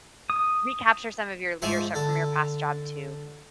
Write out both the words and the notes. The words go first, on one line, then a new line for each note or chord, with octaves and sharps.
recapture some of your leadership from your past job, too.
D#6
G#2 F3 E5 G#5 C6 C#6
D3 A4